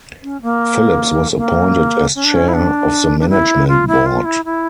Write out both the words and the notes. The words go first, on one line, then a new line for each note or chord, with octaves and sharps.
Phillips was appointed as Chair of the Management Board.
C#4
A#3
A#3
C#4
D4
C#4
E4
D4
D4
E4
F4
E4
F4
E4
E4